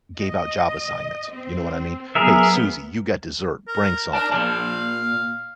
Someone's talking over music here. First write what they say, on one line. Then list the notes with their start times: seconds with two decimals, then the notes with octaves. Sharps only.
gave out job assignments, you know what I mean? "Hey, Susie, you got dessert, bring something."
0.17 D#5
1.32 C4
2.15 F#3 B3 G#4 A#4 E5
3.68 A#4
4.13 A#4 D5 A5
4.32 A#2 D5 F5 A5